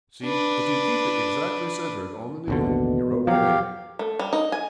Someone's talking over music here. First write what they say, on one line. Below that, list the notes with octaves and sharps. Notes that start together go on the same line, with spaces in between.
See--if you keep it exactly centered on the needle, you're O.K.
D4 B4
A1 D#2 B2 D3
F3 F#3 G4 F5
A3
G3
D#4
G#5